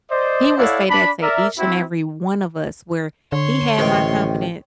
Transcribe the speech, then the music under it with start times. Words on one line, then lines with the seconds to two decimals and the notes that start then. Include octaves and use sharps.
He would say that to each and every one of us where he had my confidence
0.11 C5 D5 D#5
0.58 E4 A4 C#5 D5 F5 F#5
0.90 D4 B5
1.22 A#4 D5 E5
1.59 C4 E4 F#4
3.32 D3 C#5 C6
3.78 A1 C3 D#3 G5